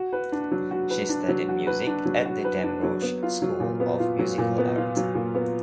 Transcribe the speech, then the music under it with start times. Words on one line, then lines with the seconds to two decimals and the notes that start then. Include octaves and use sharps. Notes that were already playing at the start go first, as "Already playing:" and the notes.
She studied music at the Damrosch School of Musical Art.
Already playing: F#4
0.12 B4
0.32 D4
0.51 F#3
0.71 F#4
0.90 B4
1.09 D4
1.29 F#3
1.49 F#4
1.67 B4
1.87 D4
2.05 F#3
2.25 F#4
2.44 B4
2.64 D4
2.83 F#3
3.02 B3
3.23 F4
3.42 F#3
3.60 A#2
3.80 B3
3.99 F4
4.19 F#3
4.38 A#2
4.58 B3
4.77 F4
4.97 F#3
5.15 A#2
5.35 B3